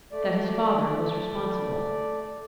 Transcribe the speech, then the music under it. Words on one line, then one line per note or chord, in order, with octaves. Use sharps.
That his father was responsible.
A3 D5